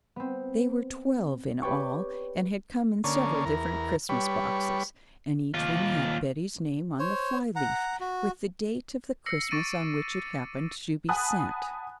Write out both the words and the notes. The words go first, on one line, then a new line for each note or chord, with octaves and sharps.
They were twelve in all, and had come in several different Christmas boxes, and each one had Betty's name on the fly-leaf, with the date of the Christmas on which it happened to be sent.
B3 C4
G4 B4 C#5 D5 G5 C#6
D3 A#3 C#4
E2 A#4
G3 B4 C#5
D#2 F4
C5 C#5
F#5 A#5
F#4
E6 A#6 C7 C#7
C#6 D6 A6 A#6 D7 D#7
F#5 G#5 A5 B5 D#6 F#6